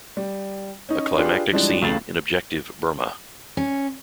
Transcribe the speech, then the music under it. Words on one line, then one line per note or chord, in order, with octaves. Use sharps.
A climactic scene in Objective, Burma!
G3
C#4 D#4
D4 F4 G4 G#4 B4
E3 F3 G3 G#3 D4
C#2 C#3 A3 A6 C7 F#7
C#4